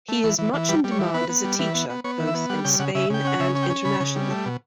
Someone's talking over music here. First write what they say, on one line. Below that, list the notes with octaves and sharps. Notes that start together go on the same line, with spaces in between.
He is much in demand as a teacher, both in Spain and internationally.
A3
E3
E3
E3
G3 B4
G3
C#5
E3
B3 B4
B3
G3
E3 B4
B3
B3
B3 C#5
E3
E5
B3
G3 F#5
C#3 G5
C#3 F#5
C#3 E5
C#3 G5
C#4 F#5
C#3 E5
C#4
G5
C#4
C#3 B5
C#3
G3
A3
B2